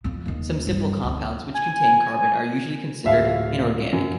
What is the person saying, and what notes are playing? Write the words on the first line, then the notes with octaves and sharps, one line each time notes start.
Some simple compounds which contain carbon are usually considered inorganic.
F2 F3
D#2 D#3
G2 D#4
D2
G#5
D1 E5 F5
F#2